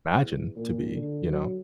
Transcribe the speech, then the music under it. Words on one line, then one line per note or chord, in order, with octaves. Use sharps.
imagine to be, you know?
E2
A#2
D3
F#3